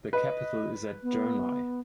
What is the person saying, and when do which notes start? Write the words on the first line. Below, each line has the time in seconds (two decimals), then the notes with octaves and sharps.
The capital is at Jounieh.
0.13 B4 D#5
1.03 B3